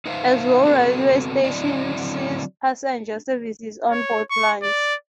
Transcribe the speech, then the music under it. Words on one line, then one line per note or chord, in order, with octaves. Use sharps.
Ezhou railway station sees passenger services on both lines.
D#4 B4 C5 D5 E5 F5
B3 C4 F#4 A4 B4
D3 F#3 C4 E4 D5 D#5
C#5
C#6
D5